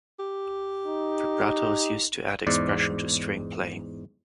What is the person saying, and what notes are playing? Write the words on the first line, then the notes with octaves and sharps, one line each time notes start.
Vibrato is used to add expression to string playing.
G4
D#4
E2 G#2 D5